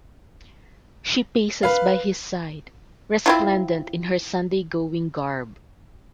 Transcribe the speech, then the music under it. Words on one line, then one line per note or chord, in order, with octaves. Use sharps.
She paces by his side, resplendent in her Sunday-going garb.
B4 F5
C4 E4 F4